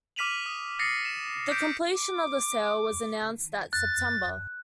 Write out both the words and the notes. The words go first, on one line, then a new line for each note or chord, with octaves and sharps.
The completion of the sale was announced that September.
D6 F6 B6 D#7 F7 F#7
D#6
D#6 A6 A#6 C7 C#7
E7
D6 G6 B6 D7
D6
F#6 A6